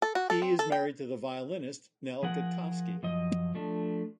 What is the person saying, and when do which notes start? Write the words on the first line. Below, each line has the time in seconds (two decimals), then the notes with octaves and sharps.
He is married to the violinist Nell Gotkovsky.
0.02 A4
0.15 F#4
0.30 A4
0.42 C4
0.59 A4
0.72 G5
2.23 F3 G#4 A#4 F#5
3.03 F#2 F3 D#5
3.55 F3 A3 D4